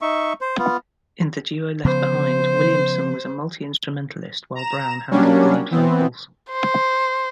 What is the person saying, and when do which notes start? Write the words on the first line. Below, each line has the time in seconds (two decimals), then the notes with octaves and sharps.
In the duo left behind, Williamson was a multi-instrumentalist while Browne handled lead vocals.
0.02 D#4 E5 C#6
0.41 C5
0.59 B3 F4
1.85 C#3 F3 B3 C5
4.55 A#5 E7
5.11 F#3 G3 A#3 C#4 D4
5.71 E3 B3 C4
6.52 C5